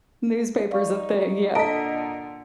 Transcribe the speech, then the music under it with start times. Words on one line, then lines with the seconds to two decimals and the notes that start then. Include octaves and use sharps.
Newspaper's a thing. Yeah.
0.71 D#4 D5 F5 C#6
1.55 A#2 D3 A4 D#5 A5 A#5 B6 D7